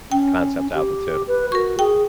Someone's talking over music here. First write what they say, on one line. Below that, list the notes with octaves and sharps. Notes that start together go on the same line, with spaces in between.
concept album too.
C#4 G5
G4
B4
F#4 A#4 C#6
G#4 G5